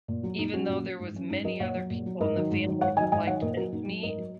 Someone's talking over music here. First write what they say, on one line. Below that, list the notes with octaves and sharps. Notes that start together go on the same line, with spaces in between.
even though there was many other people in the family that liked mincemeat,
A#2
F#3
A#2 D#4
F#3 C#4 F#4
A#2
F#3
G#2
F#3 C#4
G#2 D#4
F#3 A#4 D#5
A#2 C#5 F#5
F#3
A#2
F#3
G#2 A#4 D#5
D#3 F#3
G#2
D#3 F#3
G#2 C#5 F#5
D#3 F#3 D#5 G#5
G#2 D#5 G#5
D#3 F#3 C#5 F#5
A#2 A#4 D#5
F#3 F#4 A#4
A#2 D#4
F#3
G#2 A#4 D#5
F#3